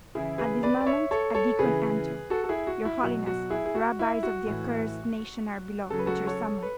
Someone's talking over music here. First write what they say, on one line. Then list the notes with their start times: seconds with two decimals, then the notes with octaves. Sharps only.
At this moment a deacon entered.... 'Your holiness, the rabbis of the accursed nation are below, at your summons.
0.15 C#3 E3 E4 G#4
0.38 G#4 B4
0.63 B4 D5
0.81 D5
0.86 C#5 E5
1.11 A4 C#5
1.34 A4 C#5
1.59 C#3 E3 G#4 B4
2.30 F#4 A4
2.44 A4
2.49 E4 G#4
2.67 F#4
2.85 E4
3.03 B2 F#3 F#4
3.27 F#4
3.50 E4 G#4
3.66 G#4
3.75 F#4
3.99 E4
4.23 F#4
4.47 A2 E3
5.90 C#3 F#3 A4
5.99 B4
6.06 F#4 A4
6.27 A4 C#5
6.63 B4